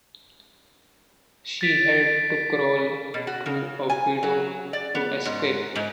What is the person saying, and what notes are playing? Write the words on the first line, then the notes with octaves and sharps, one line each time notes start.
She had to crawl through a window to escape.
A6 B6 D7
B2
F#4
C#3
G#5
F#3
D5
B3
G#2
G#2